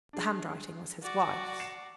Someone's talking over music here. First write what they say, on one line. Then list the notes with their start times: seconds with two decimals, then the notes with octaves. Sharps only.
The handwriting was his wife's.
0.13 D4 G#4
1.02 F#4 D5
1.60 C7 C#7 E7